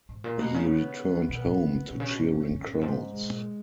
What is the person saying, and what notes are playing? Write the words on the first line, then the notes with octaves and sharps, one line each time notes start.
He returned home to cheering crowds.
G#2
A#2
B2 A#3
C#3
B3
B2 B3
G#2
F#2
F#2
A#2 C#4
C#3
B2
G#2
E2
F#2
F#2
G#2
F#2
G#2
C#3 G#3
B2
A#2